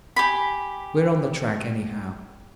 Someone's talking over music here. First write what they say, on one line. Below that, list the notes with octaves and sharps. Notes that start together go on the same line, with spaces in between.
We're on the track anyhow.
G4 G#5 B5